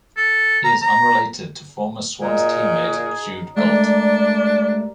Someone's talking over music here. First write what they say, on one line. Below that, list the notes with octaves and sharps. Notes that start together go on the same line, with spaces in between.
He is unrelated to former Swans teammate Jude Bolton.
A4
A#5
A#5
A#2 F#3 D#4 G#4 A#5
D#5
G#3 A3 D4 G4 A#4 D5 E5